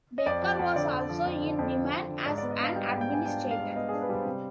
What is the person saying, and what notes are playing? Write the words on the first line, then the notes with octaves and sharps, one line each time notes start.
Baker was also in demand as an administrator.
D#5
F2 D5
F3
F2
D3 D5
F2
F3
F2
D3
F2
F3
F2
D3
G#2 D5
D5
B3
D#5
D4 F5
G3 G5
G5
G#2
G5
B3 G#5
D4 G5
G3
F5
G#2
F5
B3 D#5
G#4
D4
B4
G3 C5
C3